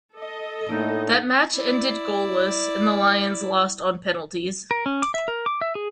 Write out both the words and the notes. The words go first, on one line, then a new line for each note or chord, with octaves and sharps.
That match ended goalless and the Lions lost on penalties.
A4 D#5
A2 A3 A#3 D4 D#4
E4 D5
A#4
C#4
D6
E5
A#4
D6
E5
G#4